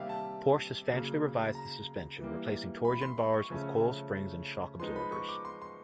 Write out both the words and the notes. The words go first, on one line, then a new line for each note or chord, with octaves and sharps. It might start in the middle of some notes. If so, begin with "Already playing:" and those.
Porsche substantially revised the suspension, replacing torsion bars with coil springs and shock absorbers.
Already playing: C3 D#3 G3 A#3 E5 F5
A5
C#3 F#3 A#3
A#5
E3 G3 A#3
B5
C6
C#6
C#6
C#3 F3 A3 C#4
F3 G#3 B3 D#4 C6
B5
C#6
D6
C6
C6